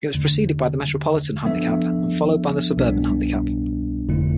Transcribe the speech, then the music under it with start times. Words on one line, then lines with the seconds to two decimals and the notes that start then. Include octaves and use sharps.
It was preceded by the Metropolitan Handicap and followed by the Suburban Handicap.
0.14 E2 D3 A3
1.45 F3 B3 D4 A4 E5
2.77 C2 B2 G3 B3 D4
4.09 G1 F2 D3 A3 E4